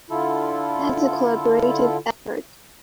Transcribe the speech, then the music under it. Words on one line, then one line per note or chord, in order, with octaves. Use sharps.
As a collaborative effort.
D3 E4 F4 A4